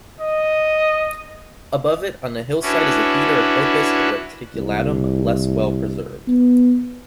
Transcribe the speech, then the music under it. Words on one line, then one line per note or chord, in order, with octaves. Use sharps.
Above it on the hillside is a theatre of "opus reticulatum", less well preserved.
D#5
C#4 D4 E4 F#4 B4
C2
B3